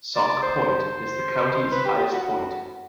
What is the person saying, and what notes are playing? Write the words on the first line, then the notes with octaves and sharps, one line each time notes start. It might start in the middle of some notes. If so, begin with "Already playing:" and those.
Sauk Point is the county's highest point.
D5
C5
C5
B4
G4
G4
F#4
F#4